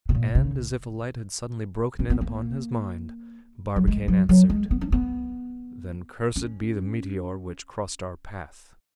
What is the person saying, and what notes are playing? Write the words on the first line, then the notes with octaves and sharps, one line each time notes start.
And, as if a light had suddenly broken in upon his mind, Barbicane answered, "Then cursed be the meteor which crossed our path."
B2
A#2
C#3
C#4
B3
A#3
F#3
G#3
F#3
F#3
G#3
B3
C#4
B3
C#4